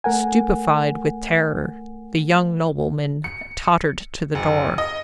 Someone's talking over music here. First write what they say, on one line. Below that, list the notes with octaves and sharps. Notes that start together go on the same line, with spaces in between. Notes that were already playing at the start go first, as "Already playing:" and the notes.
Stupified with terror, the young nobleman tottered to the door.
A3 A#4 F#5 G#5
C#7
F#1
D#5